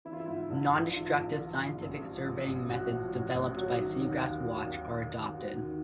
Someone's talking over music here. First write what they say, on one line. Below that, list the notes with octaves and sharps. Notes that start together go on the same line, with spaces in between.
Non-destructive scientific surveying methods developed by Seagrass-Watch are adopted.
E3 E4
F4
E4
G#2
A#1
A#1
E3 F4
A#1
E3
A#1
A1
F3
A1
A1
A2 F#4
F3
A2
A1
F#3 F#4
D#3
D#2
D#2
F#3
D#2
D#3
D#2
D#2 F#4
D#3